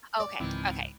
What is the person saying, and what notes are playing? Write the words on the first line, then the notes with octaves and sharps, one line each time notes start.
Okay, okay.
D5
C#2 G#2 D#3 E3 C4 E4